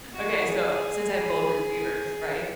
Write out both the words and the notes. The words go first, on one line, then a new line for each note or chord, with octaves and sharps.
okay, so, since I have golden retrievers, right?
F#4
G#4
G#4